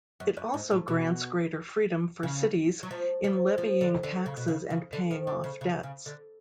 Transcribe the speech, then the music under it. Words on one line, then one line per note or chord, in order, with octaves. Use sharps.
It also grants greater freedom for cities in levying taxes and paying off debts.
F#2
F#2
G#2
A2
B2
C#3
F#3
F3
F3
F3
D3
D3
C#3
B2
C#3
C#3
D3
F3
D3
C#3
C#3
C#3
D3